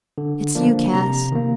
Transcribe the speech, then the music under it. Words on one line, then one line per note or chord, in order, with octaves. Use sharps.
Hit's you, Cass.
D3
F3 A#3 D4
C3 A#5
D#3 A#3